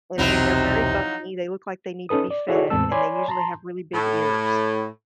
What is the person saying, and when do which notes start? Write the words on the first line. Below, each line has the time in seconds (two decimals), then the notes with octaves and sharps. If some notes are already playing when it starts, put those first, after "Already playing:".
and and they're very bumpy, they look like they need to be fed and they usually have really big ears.
0.18 B1 E2 C3 F3 F#3 C4 D#4 E4
2.09 C#4 D#4 A4 B4 D#6
2.31 D5
2.48 E4 F#4 G#4 A4 C#5 D5
2.70 E2 A2 G#3 C4 A5 E6
2.91 C#5 D5 G#5 B5 C6 D6
3.28 A5 A#5 C6
3.93 A2